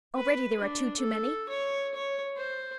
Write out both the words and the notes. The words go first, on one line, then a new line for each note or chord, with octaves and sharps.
Already there are two too many.
B4
D4
A4
C#5
C#5
C5